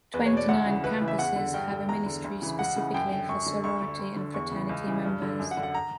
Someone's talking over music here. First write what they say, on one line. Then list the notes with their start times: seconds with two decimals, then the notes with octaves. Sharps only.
Twenty-nine campuses have a ministry specifically for sorority and fraternity members.
0.14 E2 B4
0.26 C#5
0.31 B2
0.37 D5
0.48 D2 F#5
0.66 C#3 E3
0.84 C#2 B4
0.95 B4
1.01 C#3 E3
1.08 E5
1.19 E2 F#5
1.36 D3
1.54 G2 G5
1.71 D3
1.89 E2 A#5
2.06 D3
2.24 D2
2.42 C#3 E3
2.59 C#2 F#5
2.76 C#3 E3
2.94 F#2 G5
3.11 D3 G5
3.29 F#2 C#6
3.46 D3
3.64 D2 C#6
3.82 D3
3.99 D2
4.16 D3
4.34 E2 C#6
4.51 C#3 E3
4.69 C#2
4.87 C#3 E3
5.05 G2
5.22 D3
5.39 F#2
5.51 F#5
5.57 D3
5.63 F#5
5.74 A#5